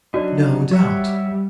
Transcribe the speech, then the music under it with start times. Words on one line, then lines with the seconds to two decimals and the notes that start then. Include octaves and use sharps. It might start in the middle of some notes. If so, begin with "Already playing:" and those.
No doubt.
0.14 F#3 D4 D#4 F#4 D5
0.71 G3 C#5 E5 F#5